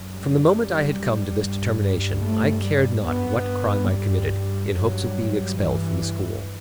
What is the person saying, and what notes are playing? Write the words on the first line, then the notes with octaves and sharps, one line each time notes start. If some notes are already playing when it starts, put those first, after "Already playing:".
From the moment I had come to this determination, I cared not what crime I committed, in hopes of being expelled from the school.
Already playing: F#2
G3
G2
A3
G3
G2 B3
G3
G2 F#3
E3